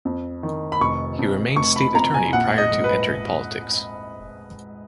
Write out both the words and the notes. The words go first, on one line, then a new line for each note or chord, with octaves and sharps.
He remained State Attorney prior to entering politics.
F2
D#3
B5
F1 C#6
F2
F1 C#6
B5
F2 A#5
G#5
A#1 F#5
D#5
G#2
B4